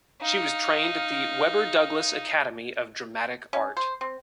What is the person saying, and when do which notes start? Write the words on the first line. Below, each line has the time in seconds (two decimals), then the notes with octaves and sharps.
She was trained at the Webber Douglas Academy of Dramatic Art.
0.21 D#4 F5
3.53 C#4
3.77 C5
4.01 C4